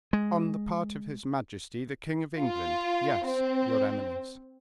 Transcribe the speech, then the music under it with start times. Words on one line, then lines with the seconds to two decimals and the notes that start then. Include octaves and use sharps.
"On the part of his majesty, the king of England, yes, your eminence."
0.13 G#3
2.38 F4
3.26 C4